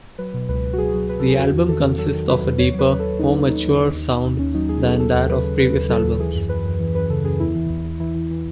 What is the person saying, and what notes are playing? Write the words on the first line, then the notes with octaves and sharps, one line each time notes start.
The album consists of a deeper, more mature sound than that of previous albums.
F#3 B4
B2
C#2 B4
C#2
F#4
F#3 G#4
F#3
F#3 B4
F#3 A4
G#4
E2 F#4
E2
D#3 A4
E2
F#3 A4
D#3
F#3 B4
E2
D#2 C#5
F#3 B4
D#2
D#2 A4
D#2 D#4
D#2
D#2 D#4
D#2
D#2
D#2
D#2
D#2
D#2 C#4
F#3 D#4
D#2 G#4
F#3 A4
D#2 A4
D#2
C#3 B4
C#3
C#3 B4
D#2
F#3 A4
D#2
E3 G#4
F#2
F#2 B4
F#2
E3
F#2 B4
C#3 A4
F#2 G#4
E2 E4
E3
E2
E2
E3 E4
E3
E3